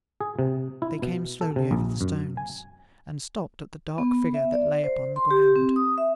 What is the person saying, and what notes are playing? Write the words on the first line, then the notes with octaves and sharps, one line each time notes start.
They came slowly over the stones, and stopped at the dark figure that lay upon the ground.
G#4
C3
E4
B2
A4
C3
A#1
F#2
G#5
B3
E5
D5
C5
C6
G4
C4
D#6
E5